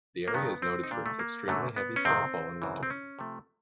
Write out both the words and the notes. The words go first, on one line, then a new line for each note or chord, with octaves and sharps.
The area is noted for its extremely heavy snowfall in winter.
A#3
G2 D#3 F#3 B3
C4
D#4
A#2 G3 D4
A3
A#3
F#2 D3 F#3 A3
B3
C#4
F2 C3 D#3 C4
F#2 C#3 E3
C4
C#4
C3 F3 A3